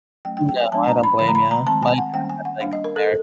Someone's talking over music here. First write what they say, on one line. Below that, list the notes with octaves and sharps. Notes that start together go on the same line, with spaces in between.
No, I don't blame you. My dad had Bank of America.
F#3 A3 C#4 G5
G5
G5
G#5
F3 G#3 B3 D4 A5
A#5
B5
D3 F3 A3 B5
A#5
B5
A#5
D#3 G#3 C4 A5
G#5
F#5
D#3 G3 A#3 C#4 G5
G#5
F#5
G3 A#3 D4 F5
D#5
A#4
A4